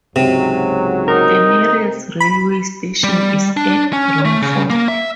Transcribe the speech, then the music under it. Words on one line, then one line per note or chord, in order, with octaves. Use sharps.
The nearest railway station is at Romford.
C#2 G#2 C3 F#3
D#4 A#4
B5
G3
D4
C#4
A3
C#3
A#3
E5